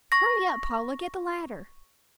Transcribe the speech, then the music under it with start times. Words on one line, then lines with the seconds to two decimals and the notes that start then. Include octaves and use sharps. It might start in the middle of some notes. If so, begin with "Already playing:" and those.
Hurry up, Paula, get the ladder.
0.12 C#6 A#6